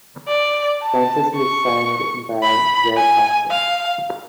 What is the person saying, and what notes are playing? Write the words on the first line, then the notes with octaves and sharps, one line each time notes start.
Francis was signed by Greg Hopkins.
D5
A5
C#6
B5
G#5
F5